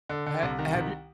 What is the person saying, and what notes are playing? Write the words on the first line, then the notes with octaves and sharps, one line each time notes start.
ha have you
D3
D3
C2
D#3
C2